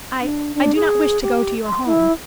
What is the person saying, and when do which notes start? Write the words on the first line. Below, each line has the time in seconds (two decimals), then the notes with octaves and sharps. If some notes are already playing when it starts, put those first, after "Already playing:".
"I--I do not wish to go to your home."
0.21 D4
0.55 D4
0.75 G#4
1.22 G4
1.66 C6
1.86 E4